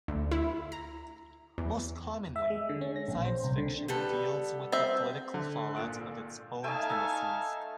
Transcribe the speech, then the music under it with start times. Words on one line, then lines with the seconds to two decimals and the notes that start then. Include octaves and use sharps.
Most commonly, science fiction deals with the political fallout of its own premises.
0.08 D2
0.31 E4
0.72 A#5
1.58 E2
2.36 E5
2.50 G#3
2.69 D3
2.81 C#4
2.96 A#6
3.08 A#1
3.25 C5
3.44 C2
3.58 D3
3.88 G3 B3 A4
4.72 C4 E5
5.34 D3
5.76 G#1 A#2 F4 A4 F#6 D7
6.64 A3 D#4 F5 G#5 A5
6.90 D#4 E5